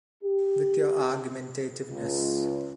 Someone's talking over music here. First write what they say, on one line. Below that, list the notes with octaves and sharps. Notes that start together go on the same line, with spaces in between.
With your argumentativeness.
G4
C#2